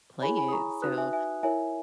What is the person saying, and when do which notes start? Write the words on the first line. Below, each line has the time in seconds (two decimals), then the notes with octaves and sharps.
play it, so
0.22 E4 G#4 C#5 G#5 B5
0.37 G#5 B5
0.48 D#6
0.52 A#5 C#6
0.82 D#4 F#4 B4 D#6 F#6
0.98 E5 G#5
1.13 E5 G#5
1.43 E4 A#4 C#5 E5 G#5